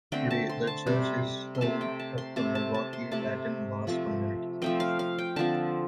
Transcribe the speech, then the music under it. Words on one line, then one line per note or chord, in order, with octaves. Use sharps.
Today, the church is the home of the Milwaukee Latin Mass community.
D3 A3 C4 G5
A5
C6
A5
C3 G3 C4
C6
C3 A3 C4 A5
G5
A5
C6
C3 A3 C4 A5
A5
A5
C6
C3 A3 C4 A5
F3 A3 C4
F3 A3 C4 G5
F5
F5
G5
D3 F3 C4 A5